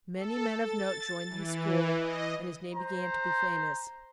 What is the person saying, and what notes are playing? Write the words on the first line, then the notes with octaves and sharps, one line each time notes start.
Many men of note joined his school, and his name began to be famous.
A4
A6
E3
D#5
C5 A#5